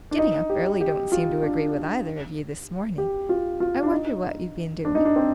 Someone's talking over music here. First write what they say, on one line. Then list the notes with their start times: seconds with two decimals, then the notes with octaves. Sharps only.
"Getting up early don't seem to agree with either of you this morning: I wonder what you've been doing?"
0.11 D4
0.18 D#4
0.50 G4
0.81 G4
1.12 F4
1.43 D4
2.98 G4
3.29 F4
3.60 F4
3.83 D4
3.91 D#4
4.85 D4
4.95 D#4
5.05 D4
5.16 C4